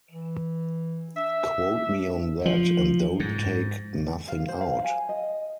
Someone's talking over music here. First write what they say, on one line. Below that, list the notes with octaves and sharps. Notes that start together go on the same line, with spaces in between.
Quote me on that and don't take nothing out.
E3
D4 E5
F3
G#2
F5
C5
F5
G#5
D#5